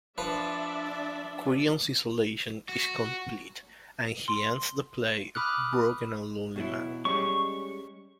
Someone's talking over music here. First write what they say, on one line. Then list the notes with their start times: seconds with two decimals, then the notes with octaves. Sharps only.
Creon's isolation is complete and he ends the play a broken and lonely man.
0.18 F3 D4 B4 D5 E5
2.69 F#4
4.28 C6
5.35 B5 D6 D#6 F6 F#6
6.56 B2 F#3 E4
7.05 G3 G#3 C#4 C#6